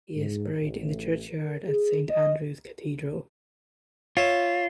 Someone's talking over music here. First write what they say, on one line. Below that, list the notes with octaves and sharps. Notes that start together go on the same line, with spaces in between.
He is buried in the churchyard at St Andrews Cathedral.
G#2
A1
A#4
G#4
D#5
F4 C#5 E5